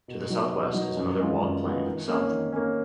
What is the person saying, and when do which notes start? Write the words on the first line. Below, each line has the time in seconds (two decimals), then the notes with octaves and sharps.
To the southwest is another walled plain, South.
0.08 B2
0.30 F#3 B3 D#4
0.52 B2
0.74 F#3 B3 D#4
0.97 F#2
1.19 D#3 G#3 B3 F4
1.41 F#2
1.63 D#3 G#3 B3 F4
1.86 D#3
2.08 A#3 C#4
2.30 D#3
2.52 A#3 C#4